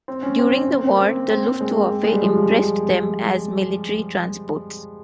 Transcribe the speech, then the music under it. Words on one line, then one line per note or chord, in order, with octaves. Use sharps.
During the war, the "Luftwaffe" impressed them as military transports.
C4
C#4
C4
C#4
C4
A#3
C4
C4
C4
G#3
A#3
G#3
G3
F3
F3